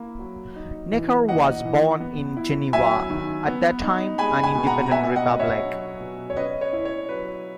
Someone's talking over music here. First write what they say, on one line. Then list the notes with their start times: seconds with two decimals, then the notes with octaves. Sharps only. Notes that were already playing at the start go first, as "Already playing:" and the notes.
Necker was born in Geneva, at that time an independent republic.
Already playing: A#3 E4
0.19 F#3
0.56 D#4
0.92 E3
1.28 A#3 D#5 F#5
1.65 E3
2.00 B3
2.37 E4
2.73 F#3 E5 G#5
3.10 D#3
3.47 B3
3.83 D#4
4.18 G#3 G#5 B5
4.43 G#5 B5
4.55 B2
4.67 F#5 A#5
4.86 A#5
4.91 B3 E5 G#5
5.16 D#5 F#5
5.28 B2
5.39 C#5 E5
5.64 F#3
6.00 B2
6.30 C#5
6.36 C#4 B4 D#5
6.61 C#5
6.73 E4
6.85 C#5
7.09 F#3 B4